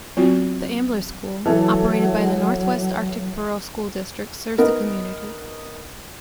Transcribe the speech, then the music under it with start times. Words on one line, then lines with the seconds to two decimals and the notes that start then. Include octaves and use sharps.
The Ambler School, operated by the Northwest Arctic Borough School District, serves the community.
0.17 F#3 B3 C4 F4 F#4
1.46 E3 F#3 E4 A4
4.58 B3 D#4 A#4